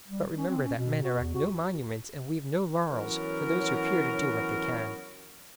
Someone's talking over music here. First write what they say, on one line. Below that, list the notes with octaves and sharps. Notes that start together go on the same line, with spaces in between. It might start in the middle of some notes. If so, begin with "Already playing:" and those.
But remember that men erect no monuments and weave no laurels for those who fear to do what they can.
G3
C#4
C4
C#4
B2
F#4
E2
F#4
E3 F#3 B3 C#4 A#4